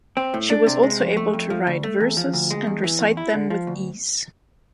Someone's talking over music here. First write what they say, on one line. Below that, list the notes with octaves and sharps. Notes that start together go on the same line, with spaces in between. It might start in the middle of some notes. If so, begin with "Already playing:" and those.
She was also able to write verses and recite them with ease.
C4
A2
D4
C3
G#3
F2
A3
F2
F3
D2
A3
E2
F3
D2
G#3
E2
E3
E2
E4
D3
F3
D2